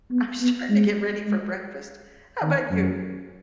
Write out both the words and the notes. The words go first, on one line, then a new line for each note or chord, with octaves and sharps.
I'm starting to get ready for breakfast. How 'bout you?
B3
B3
G#3
G#3
D#3
F#2